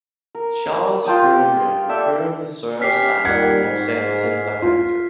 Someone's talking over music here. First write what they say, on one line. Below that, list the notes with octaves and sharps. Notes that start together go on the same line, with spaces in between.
Charles Kernaghan currently serves as the Executive Director.
A#4
F4 G5 A5 D#6
G4
A4 D5 E5 G5
C#4 G4 F6 B6 C7
A#2 D#3 G3 F#5 G#6
G#2
F4